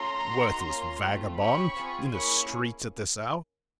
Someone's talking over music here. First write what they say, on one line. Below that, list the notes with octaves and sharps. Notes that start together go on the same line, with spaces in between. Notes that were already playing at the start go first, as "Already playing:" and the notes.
Worthless vagabond! in the streets at this hour!
Already playing: A3 C#4 F4 A4 A#5 C6
B3 D#4 F#4
A#3 C#4 F4
A3 C4 F4
C#4 E4 G4 B5 C#6
C4 F4 G#4
A#3 C#4 E4 G#4 B5 C#6